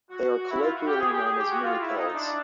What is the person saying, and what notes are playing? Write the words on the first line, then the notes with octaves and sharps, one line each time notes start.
They are colloquially known as mini pills.
F#4
E4
F4
F#4
G4
G#4
G4
G#4
G4
F#4
F4
E4
D#4
D#4
D4